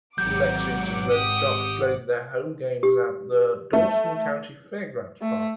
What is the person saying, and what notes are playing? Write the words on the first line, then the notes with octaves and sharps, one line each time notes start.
The Lexington Red Sox played their home games at the Dawson County Fairgrounds Park.
G#1 F#3 G4 F#5 D6 G6
G4 D#6
G4
A3
A3